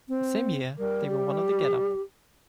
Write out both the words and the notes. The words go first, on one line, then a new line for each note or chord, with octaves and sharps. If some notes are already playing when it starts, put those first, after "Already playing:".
The same year, they were one of the Getup.
C4
G3 A#4
G4